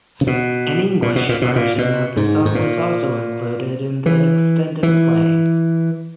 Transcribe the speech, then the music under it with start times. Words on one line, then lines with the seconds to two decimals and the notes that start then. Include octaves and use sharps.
An English version of the song was also included in the extended play.
0.21 C#3
0.27 B2
1.02 A#2
1.16 B2
1.29 A#2
1.42 B2
1.56 A#2
1.78 B2
2.17 G#2
2.45 G#2
2.55 A#2
4.06 E3
4.83 E3